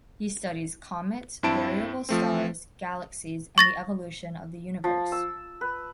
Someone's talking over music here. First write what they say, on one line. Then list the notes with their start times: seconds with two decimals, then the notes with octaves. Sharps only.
He studied comets, variable stars, galaxies and the evolution of the universe.
1.43 G2 C4 E4 A5 D7
2.09 F3 A3 C4
3.58 C#6 A6 A#6
4.84 F3
5.12 E6
5.61 B4